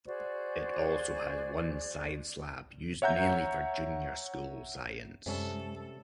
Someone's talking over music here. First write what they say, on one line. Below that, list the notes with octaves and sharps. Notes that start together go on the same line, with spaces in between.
It also has one science lab, used mainly for Junior School Science.
F#4 G#4 C5 D5
C#5 E5 F#5 A#5 G6
F#2 C3 G3 G#3 C#4 A4